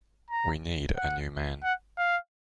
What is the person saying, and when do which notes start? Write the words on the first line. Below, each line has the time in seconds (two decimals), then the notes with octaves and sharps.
We need a new man.
0.30 A#5
0.97 F#5
1.63 F#5
1.98 F5